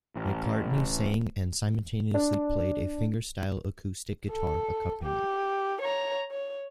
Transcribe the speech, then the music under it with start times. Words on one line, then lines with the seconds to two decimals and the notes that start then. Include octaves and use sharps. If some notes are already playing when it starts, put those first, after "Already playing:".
McCartney sang and simultaneously played a fingerstyle acoustic guitar accompaniment.
0.15 A1
2.14 D4
4.30 A4
5.03 G4
5.81 C#5 A#5
6.31 C#5